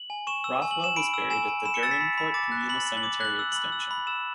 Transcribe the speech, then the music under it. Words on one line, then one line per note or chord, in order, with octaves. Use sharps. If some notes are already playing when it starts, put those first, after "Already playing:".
Rothwell was buried at the Dernancourt Communal Cemetery Extension.
Already playing: F#7
G#5
C#6 E7
E6
G#5
F#7
G#5 E7
B5 D7
E6
G#5 E7
G#5
B5 E7
C#7
E6 A6
B6
B5
B5
D6 A6
F#6
B5 F#7
B5
F#7
D6
F#6 F#7
E6
B5 F#7
E6
B5
E6 E7